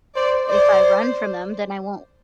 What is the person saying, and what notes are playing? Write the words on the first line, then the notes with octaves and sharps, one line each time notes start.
if I run from them, then I won't
C5 D5
C5 D5